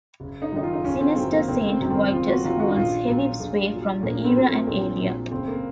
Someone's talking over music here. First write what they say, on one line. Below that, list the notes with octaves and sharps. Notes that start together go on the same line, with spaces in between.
Zinester Saint Vitus holds heavy sway from the era and area.
F#1
D#4
F#2 D#3 F#3 D#4
F4
D#4
F#1 C#4
C4
F#2 D#3 F#3 C4
A#3
F#1 C4
C4
F#2 D#3 F#3
C4
F#1 F4
F#4
F#2 D#3 F#3 F4
F#4
D#4
A#1 F4
A#2 F#3
A#1
A#2 F#3
A#1 A#3
C4
A#2 F#3
A#3
A#1 C4
A#2 F#3
F#1 C4
A#3